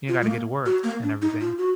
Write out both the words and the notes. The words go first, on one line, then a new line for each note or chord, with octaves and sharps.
you gotta get to work," and everything.
F4
G#3
A#3
F#4
A#3
D4
D#4
F4
F#4